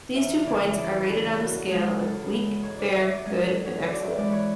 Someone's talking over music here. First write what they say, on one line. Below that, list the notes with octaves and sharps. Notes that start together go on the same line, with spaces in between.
These two points are rated on a scale of "weak", "Fair", "Good" and "Excellent".
E2 E5
E5
C#3 E3 D5
E5
E2 D5
B4
C#3 E3 A4
A4
E2 F#4
C#3 E3 G#3 G#4
E2 A4
C#3 E3 G#3
G#2 C#5
D5
F#3 E5
D5
G#2 G#4
A4
F#3
C#5
F#2 D5
E5
E3 G#3 D5
B4 C#5